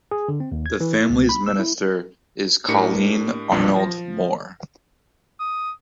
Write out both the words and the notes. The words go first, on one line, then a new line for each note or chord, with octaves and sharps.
The families minister is Colleen Arnold-Moore.
G#4
D3
C4
D#2
G#6
E3
E4
C#2
B5
E6
E4
A2 D4 G4 A#4 C#7
B1 F2 A#2 D4 B4
F3 A#6
D#6